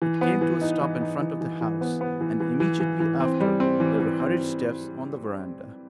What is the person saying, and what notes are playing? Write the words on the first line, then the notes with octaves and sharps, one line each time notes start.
It came to a stop in front of the house, and immediately after there were hurried steps on the veranda.
E3
B3
E3
D#4
E3
D#4
E3
E3
E3
B3
B3
E3
E3
E3
E3
E3
C4
G3
C4
E3
E3
C4